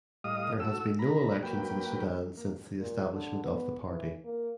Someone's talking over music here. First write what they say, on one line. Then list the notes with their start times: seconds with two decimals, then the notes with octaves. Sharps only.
There has been no elections in Sudan since the establishment of the party.
0.24 A2 G3 D#5 F5 D#6
0.60 F#4 A4 E6
0.99 A#5 B5
1.43 F#3 A#3 B4 G5
2.37 A#3
2.79 A#2
3.12 D3
3.44 B3
3.87 E3
4.24 A#3